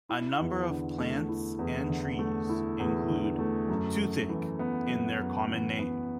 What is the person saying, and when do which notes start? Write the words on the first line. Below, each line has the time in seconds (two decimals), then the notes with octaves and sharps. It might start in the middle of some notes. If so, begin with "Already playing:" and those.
A number of plants and trees include "toothache" in their common name.
0.09 E4
0.40 E2
0.69 D3
1.00 A3
1.29 E4
1.59 E2
1.89 D3
2.19 A3
2.49 E4
2.80 E2
3.10 D3
3.39 A3
3.69 F#2
3.99 F#2
4.29 E3
4.59 B3
4.89 F#2
5.19 F#2
5.49 E3
5.79 B3